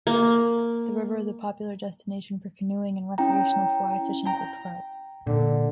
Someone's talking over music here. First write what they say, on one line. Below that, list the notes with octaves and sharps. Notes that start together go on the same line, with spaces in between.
The river is a popular destination for canoeing and recreational fly fishing for trout.
A#3
C#4 E4 G5 A#5
G5 A#5
A#2 D3